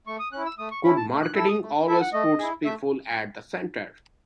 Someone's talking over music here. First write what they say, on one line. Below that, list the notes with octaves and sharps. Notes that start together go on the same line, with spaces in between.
Good marketing always puts people at the center.
A3 C#6
D#6
C#4 E4 F#6
E6
A3 D#6
C#6
C#4 E4 B5
A5
A3
F#6
E4 A4 E6
D#6
A3
E4 A4 E5
F#5
A3 D#5
E4 G#4
A3 E5